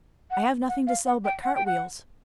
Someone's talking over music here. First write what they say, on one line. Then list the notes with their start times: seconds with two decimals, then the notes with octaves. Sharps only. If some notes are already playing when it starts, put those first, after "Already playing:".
I have nothing to sell but cart-wheels.
0.31 F#5
0.69 F#5
0.87 F5
1.06 F#5
1.25 G5
1.43 F#5
1.55 G5
1.66 F#5